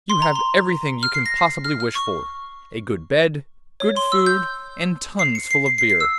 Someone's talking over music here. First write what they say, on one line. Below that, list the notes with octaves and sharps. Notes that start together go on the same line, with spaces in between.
'You have everything you can possibly wish for: a good bed, good food, and tuns full of beer.
C6
A#5
C6
F6
C7
A#6
C7
F6
F6
C#6
C#5
C6
E6
G6
C7
C#7
C7
C7
C7
C7
E6